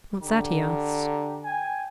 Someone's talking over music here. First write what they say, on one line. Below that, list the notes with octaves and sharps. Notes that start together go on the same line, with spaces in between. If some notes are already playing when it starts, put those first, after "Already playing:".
"What's that?" he asked.
D3 G4 A#5
G5 G#5